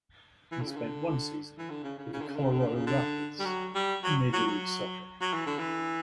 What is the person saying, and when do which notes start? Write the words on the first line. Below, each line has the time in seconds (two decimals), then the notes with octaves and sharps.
He spent one season with the Colorado Rapids in Major League Soccer.
0.52 E3
0.60 D3
0.68 C#3
0.77 D3
1.58 E3
1.70 D3
1.84 C#3
1.98 C#3
2.13 C#3
2.21 D3
2.28 C#3
2.36 D3
2.44 C#3
2.51 D3
2.59 C#3
2.67 D3
2.75 C#3
2.87 D3
3.39 G3
3.45 F#3
3.75 G3
4.04 F#3
4.33 F#3
4.47 F#3
5.21 F#3
5.33 E3
5.46 D3
5.59 E3